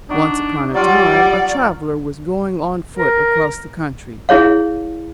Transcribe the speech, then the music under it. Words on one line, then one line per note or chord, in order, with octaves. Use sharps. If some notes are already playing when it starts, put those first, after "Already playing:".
Once upon a time, a traveler was going on foot across the country.
D4 D#4 F#4
F#3 G3 F4 D5 F#5
A#4
E4 G#4 C#5 F5